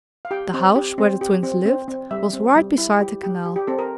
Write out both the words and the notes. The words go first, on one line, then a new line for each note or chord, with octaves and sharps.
The house where the Twins lived was right beside the canal.
F5
G4 G5
C4
G4
C4
G4
C4
C4
C4
G3 E5
C4
G3
E4
G4
G4
G4
G4
C4 A4
A#4